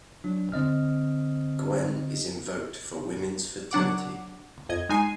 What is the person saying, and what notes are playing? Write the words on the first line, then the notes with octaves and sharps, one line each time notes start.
Gwen is invoked for women's fertility.
F#3 D4
D3 C4 D#5 F6
F#3 D4 F#5 D6
F2 D#5 G#6
G#3 D#4 G#5 C7 D#7